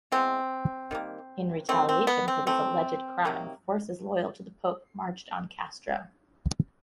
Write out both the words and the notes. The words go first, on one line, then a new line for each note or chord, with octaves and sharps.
In retaliation for this alleged crime, forces loyal to the Pope marched on Castro.
E3 G#3 B3 C4
D#3 G3 A#3
C3 D#3 F#3 A3 C4
C4
B3
C4
E3 A3 C4
C3 D#3 F#3 A#3